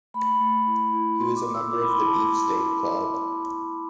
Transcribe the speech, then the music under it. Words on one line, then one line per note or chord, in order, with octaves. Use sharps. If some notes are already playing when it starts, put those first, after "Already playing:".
He was a member of the Beefsteak Club.
A3 B5
A3
E4
E4
B3 C6
D6
B3
E6
E4 D6
B5
C6
E4
A5